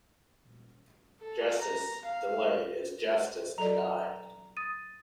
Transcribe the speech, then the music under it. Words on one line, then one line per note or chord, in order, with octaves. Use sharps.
Justice delayed is justice denied.
A4
A#5
F5
F#3 A4 D5 A#5 F7
D#6 A6 D#7